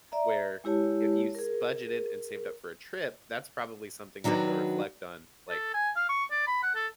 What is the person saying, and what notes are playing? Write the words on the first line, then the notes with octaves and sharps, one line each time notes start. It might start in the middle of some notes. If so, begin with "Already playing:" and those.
Where if you s budgeted and saved up for a trip, that's probably something that you'll reflect on, like,
D5 E5 A#5
G#3 E4 G4 C#5 A5
G#4 A#4
D#3 F#3 D4 F#4 B4
A4
G#5
F5
C#6
D5
B5
F#5
A4